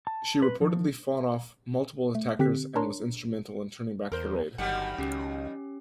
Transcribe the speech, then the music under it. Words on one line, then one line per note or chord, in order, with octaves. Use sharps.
She reportedly fought off multiple attackers and was instrumental in turning back the raid.
A5
B4
F3
A3
D3 C4 G4 F#6 B6
D4 A#4 C#5 A#5 C6
E2 A#4 C5
G1 D#3 F#3 G3 F#5
C#2 C#4 G4